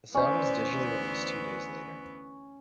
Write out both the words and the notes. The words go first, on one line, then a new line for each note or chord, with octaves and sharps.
The song was digitally released two days later.
D2 E3 B3 C#4 C5 D5